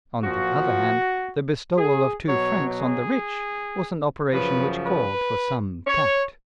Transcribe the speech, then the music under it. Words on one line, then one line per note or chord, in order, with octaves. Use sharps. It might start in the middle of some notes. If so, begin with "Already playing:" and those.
On the other hand, the bestowal of two francs on the rich was an operation which called for some tact.
A#2 F3 F#4
G#4
B2 F#3 C#5
G#4
F#2 C#3 F3 B4
B4
C#5